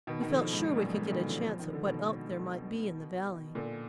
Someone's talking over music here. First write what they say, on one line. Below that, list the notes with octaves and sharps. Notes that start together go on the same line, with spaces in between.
We felt sure we could get a chance at what elk there might be in the valley.
B2 D#3
D#3
D3 F3
G#2
F#2 A#2
G#2
D3
B2 D#3
D3 F3
F3
D#3
D3
B2 D#3
A#2 D3